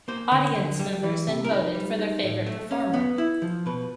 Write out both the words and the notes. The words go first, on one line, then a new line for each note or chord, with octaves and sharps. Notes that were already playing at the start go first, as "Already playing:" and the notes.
Audience members then voted for their favorite performer.
A#3 C5
D3
D3
G3
E3
C3
A#4
D#4 B4
G3
D#4
A2
A3
C#4
B3
E4
F3
B2 B4